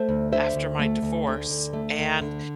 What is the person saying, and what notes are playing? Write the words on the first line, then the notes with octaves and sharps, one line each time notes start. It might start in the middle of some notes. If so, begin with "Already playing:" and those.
after my divorce. And,
Already playing: A3 C5 E5
D2
D3 C5 E5
D2
A3
D2
D3
D2
A3
D2
D3